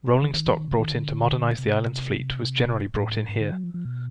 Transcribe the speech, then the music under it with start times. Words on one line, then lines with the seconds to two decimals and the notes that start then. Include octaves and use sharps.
Rolling stock brought in to modernise the island's fleet was generally brought in here.
0.22 D#3
0.34 D#3
0.45 E3
0.56 D#3
0.68 C#3
0.79 D#3
0.91 D3
1.58 C3
2.95 A2
3.29 G#2
3.40 D3
3.52 F#3
3.64 F3
3.74 F3
3.85 B2